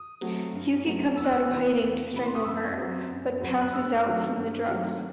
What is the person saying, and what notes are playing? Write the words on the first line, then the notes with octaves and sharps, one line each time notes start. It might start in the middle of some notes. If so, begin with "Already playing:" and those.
Hughie comes out of hiding to strangle her, but passes out from the drugs.
Already playing: D#6
F#3 A3 C4
G2
F#3 A3 C4
E2 E6
F#6
E6
C3 E3
E2
C3 E3 B5
C6
D#6
F#2 E6
F#3 C4
F#2
F#3 C4
F#6
G2 E6
D#3 F#3 A3 C4
G2
D#3 F#3 A3 C4